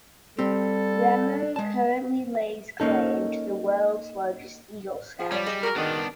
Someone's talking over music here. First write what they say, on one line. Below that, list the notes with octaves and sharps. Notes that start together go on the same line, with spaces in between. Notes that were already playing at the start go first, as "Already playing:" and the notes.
Remer currently lays claim to the World's Largest Eagle statue.
G3 C4 G4 A4
G#3 A5
A#3 C#4 D#4 A4
F3 G#4
G3 C#5 D5
G#4 D5 D#5
F#4 G#4 A#4
D3 D#3 B3 D4